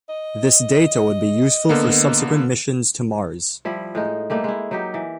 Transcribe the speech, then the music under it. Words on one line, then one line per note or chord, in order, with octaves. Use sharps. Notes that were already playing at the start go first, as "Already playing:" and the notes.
This data would be useful for subsequent missions to Mars.
D#5
D3 A#3 B3
F3 G3 E4
A2 G#3 D#4
G3 A3 A#3 D#4
G#3 E4
F#3 D#4 G4
E3